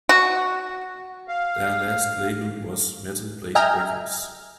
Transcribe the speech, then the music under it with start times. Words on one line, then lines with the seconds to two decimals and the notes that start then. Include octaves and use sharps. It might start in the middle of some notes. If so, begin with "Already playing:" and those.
Their last label was Metal Blade Records.
0.09 F#4
1.28 F5
3.55 D#5 E5 G5 G#5 A#5 F6